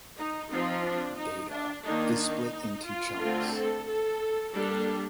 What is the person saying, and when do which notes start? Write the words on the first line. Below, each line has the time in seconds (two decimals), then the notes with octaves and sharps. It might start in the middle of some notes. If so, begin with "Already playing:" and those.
Data is split into chunks.
0.18 D#4
0.50 F3 C4 D#4
0.84 D4
1.18 D#4
1.51 D4
1.85 D#3 A#3 D4 D#4
2.19 D#4
2.85 F4
3.19 D3 A3 C4
3.52 A4
3.86 A4
4.53 G3 A#3 D4 A4